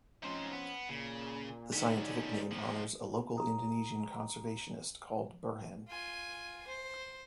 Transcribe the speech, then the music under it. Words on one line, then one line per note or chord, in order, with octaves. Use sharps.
The scientific name honours a local Indonesian conservationist called Burhan.
F3 C4 C#4 D#4 C5
B3
A#2 C#3
D3 G3 C#4 D#4
C3 F3
A#5 D#6
F4 G#5
C5